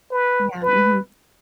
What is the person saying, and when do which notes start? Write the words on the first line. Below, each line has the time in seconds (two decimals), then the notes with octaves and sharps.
Yeah, mhm.
0.11 B4
0.63 B4